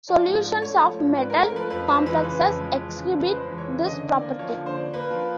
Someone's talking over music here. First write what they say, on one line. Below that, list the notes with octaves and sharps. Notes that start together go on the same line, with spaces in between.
Solutions of metal complexes exhibit this property.
F3 D5
G#2
D4
A3 C#5
F3
G#2
D4 B4
A#4
A3
A#4
F3 B4
F2 B4
G#3 C5
E3 B4
C#3 B4
F2
G#3
E3
C#3
F2
B4
G#3 C5
E3
C#5
C#3
D3 D#5
D4
D5
A#3
F3 C#5
D3
C5
D4
A#3 B4
F3